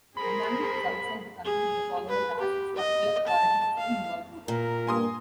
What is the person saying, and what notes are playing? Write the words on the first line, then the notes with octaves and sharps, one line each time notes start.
Environment is outside the control of the follower-task structure, authority system, and work group.
G#4 A#4 C5 B5
G#4
B4
G4
D#5
A5
F5
A#2 A#4
G2 A#3 G#5 C6 D#6